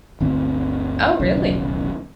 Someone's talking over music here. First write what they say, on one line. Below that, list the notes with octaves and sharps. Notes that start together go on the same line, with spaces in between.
Oh, really?
G1 D2 C4
D#1 B1 E2 C#3